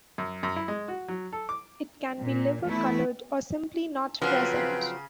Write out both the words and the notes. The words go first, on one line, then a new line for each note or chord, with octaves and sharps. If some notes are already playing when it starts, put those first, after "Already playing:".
It can be liver colored or simply not present.
F#2
F#2
E4
G#3
F#4
F#3
A4
D6
A#2
E3 A3 B3 E4
C#3 F3 F#3 C4 F4 B4